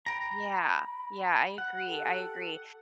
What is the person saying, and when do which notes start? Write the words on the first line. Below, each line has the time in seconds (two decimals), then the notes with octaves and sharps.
Yeah, yeah. I agree, I agree.
0.06 G5 A#5 B5
1.58 F#5
1.86 G4 A4 G5